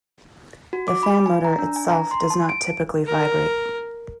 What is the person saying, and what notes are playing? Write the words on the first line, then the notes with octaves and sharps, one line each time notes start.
The fan motor itself does not typically vibrate.
F#4
D6
B5
G#5
A#5
D4
G#5
A#5
C6
A5
D7
A#4